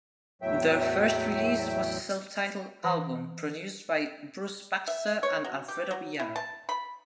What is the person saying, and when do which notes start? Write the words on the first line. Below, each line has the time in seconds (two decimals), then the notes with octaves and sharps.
Their first release was a self-titled album, produced by Bruce Baxter and Alfredo Villar.
0.42 E2 A2 F#3 E5 G5
2.84 E3
4.88 E5
5.23 C#5
5.44 F#3
5.68 G4
5.91 F#3
6.20 E4
6.36 A5
6.69 B5